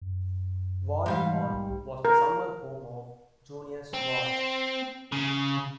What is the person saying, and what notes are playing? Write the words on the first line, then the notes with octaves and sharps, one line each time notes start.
Ward Hall was the summer home of Junius Ward.
F#2
G#2 E3 G3 F5
B1
A#4
C4
C#3